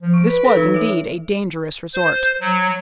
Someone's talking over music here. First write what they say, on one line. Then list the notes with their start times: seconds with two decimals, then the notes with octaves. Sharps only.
This was, indeed, a dangerous resort.
0.02 F3
0.14 C#6 D7
0.28 B4
0.45 A4
0.57 E3 D#4
0.74 C#5 E5
1.94 C5
2.40 F#3